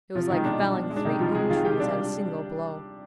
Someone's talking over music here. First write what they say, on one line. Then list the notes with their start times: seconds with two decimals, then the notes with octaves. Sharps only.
It was like felling three oak trees at a single blow.
0.15 C3 F3 F4
0.30 D#3 F3 G#3 D#4
0.45 B2 D4
0.60 G3
0.75 B2
0.90 G#3
0.96 D4
1.05 C3 D#3 D#4
1.20 F3 G3 F4
1.34 C3 G#3 G#4
1.50 D#3 G#3 F4 F5
1.65 C3 G4 G5
1.80 G3 D4 D5